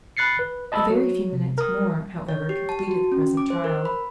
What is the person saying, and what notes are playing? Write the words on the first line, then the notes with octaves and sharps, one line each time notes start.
A very few minutes more, however, completed the present trial.
B5 F#6 A6 C7 C#7
B4
D#5 A5 B5 D#6 E6
F#3
C3
A#4 D#6
C#5
G4
A5
F#4
C#4
D6
C5
A#4
B5